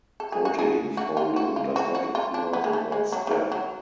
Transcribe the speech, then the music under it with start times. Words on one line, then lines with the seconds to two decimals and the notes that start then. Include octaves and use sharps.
Protein folding does not occur in one step.
0.20 A4
0.32 G#4
0.45 F#4
0.59 G#4
0.97 F#4
1.17 F4
1.36 F#4
1.56 F4
1.76 F#4
1.95 F#4
2.15 F4
2.34 D4
2.53 B3
2.64 G#3
2.73 A3
2.92 G#3
3.12 F#3
3.27 C#3
3.31 D3
3.52 F#3